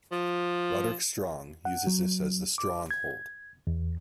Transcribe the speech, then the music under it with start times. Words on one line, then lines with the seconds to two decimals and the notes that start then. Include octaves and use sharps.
Roderick Strong uses this as the "Strong Hold".
0.12 F3
1.65 F#5
1.87 F#3
2.58 D6
2.91 G#6
3.67 E2